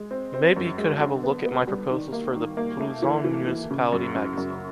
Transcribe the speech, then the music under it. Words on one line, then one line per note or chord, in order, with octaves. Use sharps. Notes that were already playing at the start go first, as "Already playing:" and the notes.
You may be could have a look at my proposals for the Plouzane municipality magazine.
Already playing: G#3
C4
C4
F#2
G#3
D3
B3
B3
G3
D#3
A#3
D#3
A#3
A3
E3
E3
E3
C#3
F#2
F#2
F#2